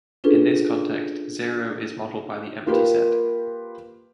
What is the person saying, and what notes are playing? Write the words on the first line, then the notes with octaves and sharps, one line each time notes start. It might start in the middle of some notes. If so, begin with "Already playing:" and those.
In this context, zero is modelled by the empty set.
C#4 D4 F4 G#4 A4 B4
A#3 F4 G4 A#4 B4